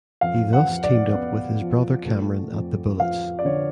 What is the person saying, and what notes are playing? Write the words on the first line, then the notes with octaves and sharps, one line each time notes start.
He thus teamed up with his brother Cameron at the Bullets.
F2 F5
F#5
F2
D5
B3
F3
A3
F2
F3 F5
D5
D3 C#5